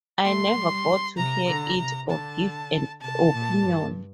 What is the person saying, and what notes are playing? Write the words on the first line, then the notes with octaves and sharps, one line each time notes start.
I never got to hear it or give an opinion.
A3 C6
G3
C3 A#5
D3
C3
D3 A5
C3 A5
A#2
G2